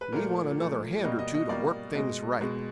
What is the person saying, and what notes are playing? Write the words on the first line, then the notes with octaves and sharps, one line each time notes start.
We want another hand or two to work things right.'
B4
A#2 F3 A3 A#4
A#2 F3 A3
B2 G3 A#3 D#5
D#5
D#5
B2 G3 A#3 D5
B2 G#3 D#5
B2 G#3